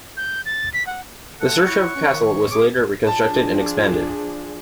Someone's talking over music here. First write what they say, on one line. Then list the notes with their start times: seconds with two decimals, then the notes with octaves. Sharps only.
The Sychrov Castle was later reconstructed and expanded.
0.17 G6
0.46 A6
0.73 B6
0.87 F#5
1.41 A3 A4 F#5
1.67 E4 C#5 C#6
1.95 C#4
2.10 D#3
2.51 G#4 D6
3.07 F3 D4 G#4 A5